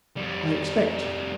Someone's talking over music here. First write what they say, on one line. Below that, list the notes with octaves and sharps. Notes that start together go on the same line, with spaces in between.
I expect you.
F2 G3